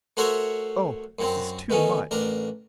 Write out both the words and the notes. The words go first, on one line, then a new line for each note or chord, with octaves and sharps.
"Oh, this is too much!"
A3 F#4 A#4 C5 C#5 E5
F#2 F#3 C4
B2 D#3 A3 C#4
A1 D4 A#4